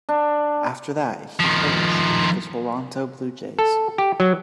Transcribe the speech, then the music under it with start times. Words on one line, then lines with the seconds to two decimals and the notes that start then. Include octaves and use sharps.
After that he coached with the Toronto blue jays.
0.09 D4
1.40 D#3 F3
3.59 A4
3.98 G4
4.20 F#3